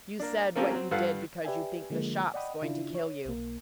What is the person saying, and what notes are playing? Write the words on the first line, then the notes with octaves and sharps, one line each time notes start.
"You said what you did because you think the shop's going to kill you."
A#3 D4
A#3 C4 C#4 F4 G4 A4
F#3 C4
G2 F4 A4 B4 F5 F#5
G4 B4 D5 E5 G5 G#5
D3 F3 G#3 A#3
D5 D#5 F#5 G5 B5 D#6
C#3 D4 E4 F4
C#5
B1 A#3